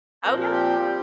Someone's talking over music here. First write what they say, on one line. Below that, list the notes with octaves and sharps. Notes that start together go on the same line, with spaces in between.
Oh, yeah.
A#2 F3 C4 A#4
A#4
G4
G3 C4